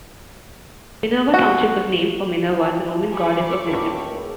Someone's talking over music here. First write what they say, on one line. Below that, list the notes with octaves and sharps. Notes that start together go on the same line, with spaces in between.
Minerva Township was named for Minerva, the Roman goddess of wisdom.
F#4
D4 D#4 A5
C5 G#5 B5 C#6 D6
C#2 F#2 G3 A3 A#3